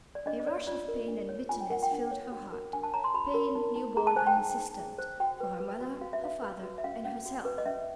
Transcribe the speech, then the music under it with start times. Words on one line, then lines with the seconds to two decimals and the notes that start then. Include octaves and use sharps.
A rush of pain and bitterness filled her heart--pain, new-born and insistent, for her mother, her father, and herself.
0.15 D5
0.26 D4 D#5
0.40 D#5
0.46 C#5 D5
0.67 F4 D5
0.88 A#4
1.08 D4
1.29 C#5
1.49 F4 G#5
1.61 G5
1.70 A#4 F#5
1.83 G5
1.91 D4
2.11 C#5
2.32 F#4
2.52 A#4
2.73 D4 G#5
2.83 A5
2.94 C#5 A#5
3.04 C6
3.14 F#4 B5
3.34 A#4
3.55 D#4
3.76 D#4
3.97 G#4 A#5
4.07 A5
4.16 C5 G#5
4.27 G5
4.37 D#4
4.58 D#4
4.79 G#4
4.98 C5
5.20 F#4 G5
5.40 B4
5.60 B4
5.81 F#4
6.01 F#4 F5
6.13 E5
6.22 B4 F5
6.42 B4
6.63 F#4
6.78 E5
6.84 C#4 F5
7.05 C#4
7.26 F#4
7.45 B4
7.58 D#5
7.66 C#4 E5